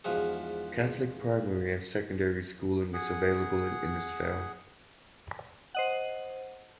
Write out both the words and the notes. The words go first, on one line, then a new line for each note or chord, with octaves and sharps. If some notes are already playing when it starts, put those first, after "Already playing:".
Catholic primary and secondary schooling is available in Innisfail.
E2 G#2 F3 F#4 G#4
G#4 F#5
C5 D#5 F#5